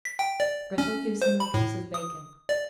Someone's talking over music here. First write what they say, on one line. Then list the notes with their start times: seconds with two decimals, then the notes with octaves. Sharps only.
Grettel gives him a piece of bacon.
0.05 B6
0.19 G5
0.40 D5
0.78 C#4
1.22 C5
1.40 B5
1.54 A2
1.94 D#6
2.49 D5